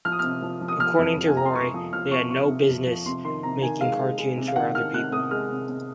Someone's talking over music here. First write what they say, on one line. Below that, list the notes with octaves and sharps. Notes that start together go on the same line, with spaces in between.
According to Roy, they had no business making cartoons for other people.
F3 F6
D#6
C3 F6
F3
F3
D#6
F3 F6
F2
F3
G#5
F2 A#5
C6
C3 C#6
F3 D#6
F3 F6
C3 C#6
C3 C#6
C3
F2
F3
C3 C6
D#3 C6
C3 A#5
D#3 G#5
G#3 F5
G#3
G#3
C3
F5
D#3 F#5
D#3 F6
C3 F#6
C3 D#6
G#3 F6
C3
C3